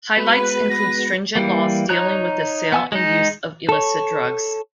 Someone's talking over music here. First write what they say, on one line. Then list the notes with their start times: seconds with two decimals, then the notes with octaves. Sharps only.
Highlights include stringent laws dealing with the sale and use of illicit drugs.
0.17 G#3 B3 F#4 B4
0.70 A#6
1.35 E3 G3 A#3
1.89 D#4 C#5 A#5 F#6
2.72 B3 G#5 E6
2.92 G#3 D#4
3.69 A4 C#5